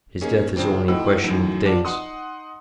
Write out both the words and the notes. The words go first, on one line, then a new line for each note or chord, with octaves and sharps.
His death is only a question of days.
A#3 C#4 D#4 G#4
C#3 F3 C4 D4
A2 C4 D#4 F#5 E6
F#2 A2 D#3 F#3
F4 F#4 D5 A5
D#4 F#5 C6 D#6